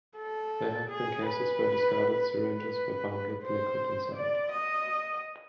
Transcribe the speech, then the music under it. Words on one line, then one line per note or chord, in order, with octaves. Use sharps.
There have been cases where discarded syringes were found with liquid inside.
A4
G#4
B4
B4
C5
D5
D#5